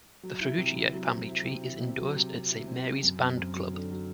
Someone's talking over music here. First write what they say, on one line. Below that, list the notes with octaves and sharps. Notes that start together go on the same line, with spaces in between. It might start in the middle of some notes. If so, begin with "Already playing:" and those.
The Farrugia family tree is endorsed at Saint Mary's Band Club.
F#3
E4
C3
E4
F#3
C4
E4
C3
E4
C4
F#3
C3
C4
E4
C4
C4
F#2
C4
F#2
F#3
D3
F#3